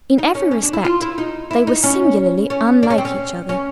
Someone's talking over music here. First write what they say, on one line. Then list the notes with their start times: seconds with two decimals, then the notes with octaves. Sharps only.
In every respect they were singularly unlike each other.
0.18 D#4
0.35 C#4
0.51 C#4
0.63 D4
0.73 E4
0.85 F4
1.02 E4
1.18 D#4
1.51 E4
1.67 D#4
1.84 C#4
2.50 C#4
2.83 D4
2.90 C#4
2.98 C4
3.05 C#4
3.49 C#4